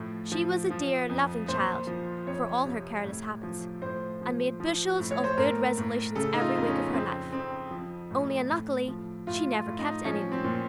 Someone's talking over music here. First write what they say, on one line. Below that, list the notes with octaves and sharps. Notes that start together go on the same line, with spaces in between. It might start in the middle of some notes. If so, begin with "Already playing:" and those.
She was a dear, loving child, for all her careless habits, and made bushels of good resolutions every week of her life, only unluckily she never kept any of them.
Already playing: A2 F3
F3
F3
F2
A#2 C5
F3
F2 C#5
C3
A2
F3
A2 C5
F3
F3
A2
C#5
C5
A2 A#4
A2
C#3 A4
D#4
F4
F2
C#4
F2 C4
F2 C4
F3
A2
A2
F3
A2 F4
F4
A2
D#4
F3 C#4
C4
A#2